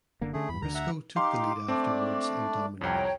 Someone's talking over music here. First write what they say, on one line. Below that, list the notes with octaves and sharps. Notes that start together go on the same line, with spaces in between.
Briscoe took the lead afterwards and dominated.
F#1 D3 A#3
D3 A3 C#4 G#4
E2 G2 B5
D2 D3 A#5
E5 F#5 A#5
D#4 G4 F5 C6 D6
A3 C4 D4 D5
C2 F2 C#5 G5 A#5